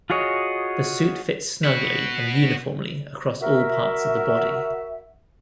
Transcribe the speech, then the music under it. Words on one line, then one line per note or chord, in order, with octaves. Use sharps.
The suit fits snugly and uniformly across all parts of the body.
F4 F#4 G#4 C#5 D#5
F#4 B4
F#4 A#4 E5